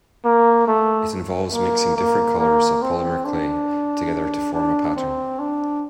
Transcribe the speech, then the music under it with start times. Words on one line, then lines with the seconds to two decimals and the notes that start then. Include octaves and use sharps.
It involves mixing different colors of polymer clay together to form a pattern.
0.25 A#3
0.67 A3
1.53 A#3
1.96 A#3
2.40 A#3
2.82 C4
3.25 D4
4.54 D4
4.96 C4
5.39 D4